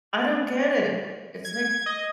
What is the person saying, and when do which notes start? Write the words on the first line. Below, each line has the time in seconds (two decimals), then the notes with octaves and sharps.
I don't get it, it's like
1.45 G#6
1.86 D#5